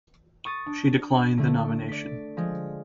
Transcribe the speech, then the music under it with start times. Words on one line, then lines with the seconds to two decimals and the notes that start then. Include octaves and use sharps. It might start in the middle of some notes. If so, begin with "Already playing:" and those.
She declined the nomination.
0.45 C#6 D#6 A6 D#7
0.66 D4
1.38 D3 A3
1.88 D5 B6
2.37 F3 G#3